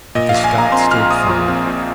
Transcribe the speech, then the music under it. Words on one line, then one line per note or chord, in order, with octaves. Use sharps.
But the Scots stood firm.
A#2 D#5
A#1 F5
G#5
A#1 A#5
C4 C6
A#1 F6
A#1 D#6
F3
C4
A#2